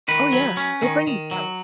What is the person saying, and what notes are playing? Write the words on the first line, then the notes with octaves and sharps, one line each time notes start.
Oh, yeah. It'll bring you down.
D#3 B4
F#3
C#4
D#3
D#3
F#3